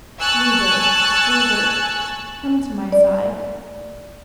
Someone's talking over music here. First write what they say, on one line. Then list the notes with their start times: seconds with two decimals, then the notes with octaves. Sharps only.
"Blue Bird, Blue Bird, Come to my side."
0.19 G#5 A5 C#6 E6 F#6 A6
2.92 D5